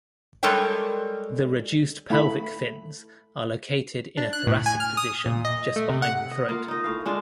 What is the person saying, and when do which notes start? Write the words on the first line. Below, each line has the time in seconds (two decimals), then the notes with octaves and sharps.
The reduced pelvic fins are located in a thoracic position, just behind the throat.
0.43 G3 G#3 A4 A#4 C#5 G5
2.10 A3 E4 B5
4.17 D4
4.33 F#6
4.47 A2
4.66 G#5
4.80 F6
4.97 D#6
5.26 A#2
5.45 D#5
5.76 A3
5.89 C3
6.02 F#5
6.31 D#5
6.49 A#3 F4
6.68 D#4 D#5
6.84 A2 F5
7.06 G#3 D4 F4